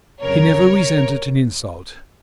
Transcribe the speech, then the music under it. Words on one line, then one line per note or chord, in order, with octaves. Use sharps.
He never resented an insult.
F2 C#3 F#3 A#4 C#5